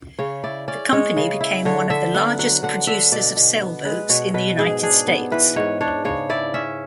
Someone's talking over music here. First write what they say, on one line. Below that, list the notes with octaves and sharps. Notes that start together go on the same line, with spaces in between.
The company became one of the largest producers of sailboats in the United States.
C#3 C#5
E4 D5
C#4 D5
G#3 C#5
C#3
E4
D3 C#5
D3 E5
B3 F#5
F#3 F#5
D3 F#5
D3 E5
B2 D5
B2
B3
G#3 B4
B2 C#5
B2 B4
G#2 G#4
D4 G#4
B3
E3 B4
G#2 C#5
D4 C#5
C#3 C#5
E4 D5
C#4 E5